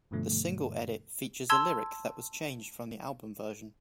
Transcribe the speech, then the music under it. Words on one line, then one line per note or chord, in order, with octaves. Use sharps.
The single edit features a lyric that was changed from the album version.
G2 B2 D3 F3 A3
A5 C6 E6 G#6